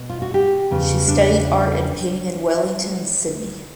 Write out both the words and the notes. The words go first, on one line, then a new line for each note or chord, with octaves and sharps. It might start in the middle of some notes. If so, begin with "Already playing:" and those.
She studied art and painting in Wellington and Sydney.
Already playing: B2
F4
F#4
G4
E2 C#3 F3
D4